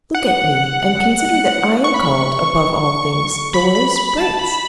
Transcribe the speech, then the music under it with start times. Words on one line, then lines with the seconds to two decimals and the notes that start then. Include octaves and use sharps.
Look at me, and consider that I am called, above all things, Doris Brace!
0.15 F#5
1.84 C#6
1.94 B5
2.05 C#6
3.54 B5
3.75 B5
3.96 B5
4.17 A5
4.39 B5